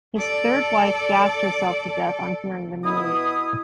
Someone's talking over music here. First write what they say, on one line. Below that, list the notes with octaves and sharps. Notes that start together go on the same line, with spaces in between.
His third wife gassed herself to death on hearing the news.
A4 D5
B2 E4 D#6